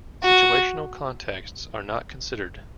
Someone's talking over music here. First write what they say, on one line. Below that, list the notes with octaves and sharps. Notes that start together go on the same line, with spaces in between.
Situational contexts are not considered.
F#4